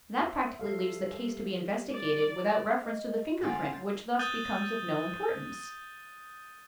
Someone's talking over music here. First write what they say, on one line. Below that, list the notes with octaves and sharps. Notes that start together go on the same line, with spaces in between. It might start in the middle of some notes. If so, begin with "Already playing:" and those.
"That practically leaves the case to be investigated without reference to the finger-print, which thus becomes of no importance."
C5 E5
G3 A4 F5
D5
D#5
D3 B3 C4 F4 G#5 A6
D#6 F#6 G6 A6 D#7 G7